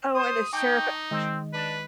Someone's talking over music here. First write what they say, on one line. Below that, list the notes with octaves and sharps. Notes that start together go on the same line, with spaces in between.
Oh, and the Sheriff
C5 D#6
D#4 G5 A5 C#6 D6
D#3 G#3 C4 D#5
D4 B4